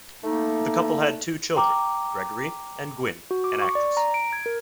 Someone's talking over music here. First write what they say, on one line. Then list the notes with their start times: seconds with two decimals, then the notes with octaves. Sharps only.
The couple had two children, Gregory and Gwynne, an actress.
0.24 A3 A#3 D#4
1.56 G5 A#5 D6
3.31 F#4
3.44 D6
3.62 C#6
3.75 D5
3.97 A#5
4.14 D7
4.33 G#6
4.46 A#4